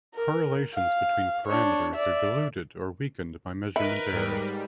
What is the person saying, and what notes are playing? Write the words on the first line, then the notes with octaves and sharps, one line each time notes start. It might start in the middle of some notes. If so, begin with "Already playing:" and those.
Correlations between parameters are diluted or weakened by measurement error.
A#4
F5
D4 C#5
D5 E5
D#3 E4 A#4 B4
G#2 G3